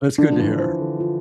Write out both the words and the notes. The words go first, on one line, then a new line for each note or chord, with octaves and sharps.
That's good to hear.
D3 D4
F3
E3
F3 C5
D3
F4